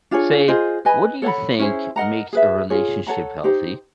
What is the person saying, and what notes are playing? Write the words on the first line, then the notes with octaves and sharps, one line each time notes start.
Say, what do you think makes a relationship healthy?
D4 F4 G#4 C#5
F4 G#4 C5 D#5
B4 D#5 G#5 B5
A4 C#5 F#5 B5
C#4 E4 G#4 C5
A#4 D#5 F#5 A#5
G#4 B4 E5
F4 G#4 C#5
A4 C#5 F#5 A#5
D#4 G4 C5